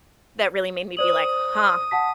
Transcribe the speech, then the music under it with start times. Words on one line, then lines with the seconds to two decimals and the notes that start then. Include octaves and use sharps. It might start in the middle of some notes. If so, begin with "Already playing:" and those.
that really made me be like, "Huh,
0.97 C5 D5 D#6 F#7
1.91 F#5 A5 B6